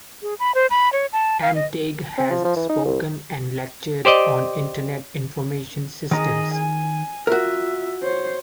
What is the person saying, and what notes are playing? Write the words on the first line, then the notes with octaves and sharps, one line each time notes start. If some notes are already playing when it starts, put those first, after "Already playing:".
Emtage has spoken and lectured on Internet Information Systems.
G#4
B5
C5
B5
C#5
A5
F5
D#5
C4
F3
F3
E3
D#4
C2
G4 C5 D5 D#5
D#3 G#4 D#5 A#5
G#5
F4 F#4 A#4 E5
C5 C#5